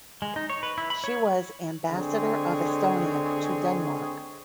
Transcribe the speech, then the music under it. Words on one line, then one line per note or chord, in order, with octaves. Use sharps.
She was Ambassador of Estonia to Denmark.
G#3
D#4
C#5
B4
E4
B5
C#5
D3 G#3 C4 G#4 C#5